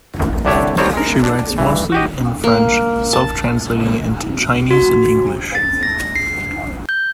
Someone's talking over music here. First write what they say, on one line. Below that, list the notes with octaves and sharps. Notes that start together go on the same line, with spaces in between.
She writes mostly in French, self translating into Chinese and English.
C2 D3 D4 G4 C#5 E5
D#3 G3 C4 C#5 A5
G#3 A#4
D4
G2 E3
F#4 G4 D#5
A#3
A5
F#4
A6
A#6
C7
G6